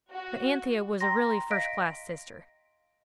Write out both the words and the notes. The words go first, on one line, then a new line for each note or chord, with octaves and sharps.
But Anthea was a really first-class sister.
F#4
G5 A#5 C6 A#6
D#5 F5 A#6 B6 D7